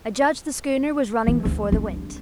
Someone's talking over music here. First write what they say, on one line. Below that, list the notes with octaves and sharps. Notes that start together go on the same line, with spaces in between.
I judged the schooner was running before the wind.
E3
D2
D4